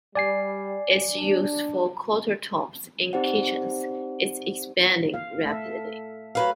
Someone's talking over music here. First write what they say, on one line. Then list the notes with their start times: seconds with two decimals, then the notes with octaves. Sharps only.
Its use for countertops in kitchens is expanding rapidly.
0.15 G3 D5 G#5 C7
1.13 D4
3.13 C4 D#4 G4 C5 D5 F#5
5.14 F5
5.46 A3 A4 E5
6.35 F#3 B4 F5